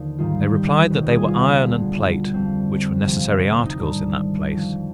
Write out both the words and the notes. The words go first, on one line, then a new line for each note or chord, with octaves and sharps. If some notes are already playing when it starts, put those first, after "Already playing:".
They replied, that they were iron and plate, which were necessary articles in that place.
Already playing: D#2 D3 F3
G#2 D#3 G3 F4
G4
C2 B2 G3 B4
G#4
F4
B3
D2 D3 G3
F2 D3 G3 C4
D2 C3 F3
D#4
G#2 D#3 G3 D4
F2 D3 F3